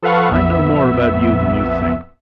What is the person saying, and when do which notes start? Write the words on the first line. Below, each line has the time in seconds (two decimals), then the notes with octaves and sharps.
I know more about you than you think.
0.02 F3 A4 B4 F5 F#5 C#6
0.31 A#1 F2 B3 E5